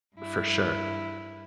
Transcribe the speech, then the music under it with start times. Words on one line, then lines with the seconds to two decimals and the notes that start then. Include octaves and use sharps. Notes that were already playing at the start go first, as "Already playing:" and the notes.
for sure.
0.16 G2 E4